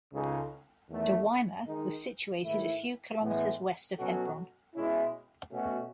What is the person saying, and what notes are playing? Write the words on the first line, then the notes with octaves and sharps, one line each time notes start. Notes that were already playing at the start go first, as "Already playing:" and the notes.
Dawayima was situated a few kilometres west of Hebron.
C#2 C#3 G#3 D#4 A4
E2 D#3 A3
D#3 G#3 D#4
G#2 D#3 A3 E4
A2 E3 G#3 B3 E4
B2 F#3 C#4 F#4 A4
B2 G#3 C#4 E4
B2 A3 C#4 F#4